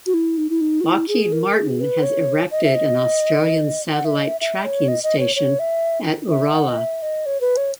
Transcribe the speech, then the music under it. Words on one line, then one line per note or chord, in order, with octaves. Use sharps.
Lockheed Martin has erected an Australian satellite tracking station at Uralla.
F#4
E4
D#4
E4
D#4
F#4
E4
G#4
A#4
G#4
B4
C#5
D#5
E5
D#5
F#5
E5
D#5
E5
E5
C#5
D#5
D#5
C#5
C#5
E5
E5
F#5
D#5
E5
D#5
C#5
B4
C#5